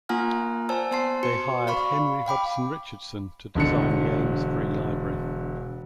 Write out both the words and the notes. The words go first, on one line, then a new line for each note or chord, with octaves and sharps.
They hired Henry Hobson Richardson to design the Ames Free Library.
A#3 F4 F#5 G#5 A#5 F6
C5 D5 G#5 A5 E6
B3 C5 A5 C6 C7
F#4 C6 C#7
D5 F5 B5 C#6
F5 G5 B5 D6
E1 D3 C#7